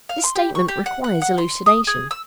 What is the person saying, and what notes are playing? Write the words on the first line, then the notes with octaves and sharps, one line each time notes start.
This statement requires elucidation.
F5
C6
G4
C#6
G4
F#5
F#5
F#5
C6
D#6
G#4
E6